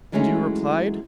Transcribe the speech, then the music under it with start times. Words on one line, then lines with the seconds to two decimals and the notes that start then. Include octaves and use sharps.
"And you replied?"
0.12 E3 F#3 G#3 A3 C#4 D#4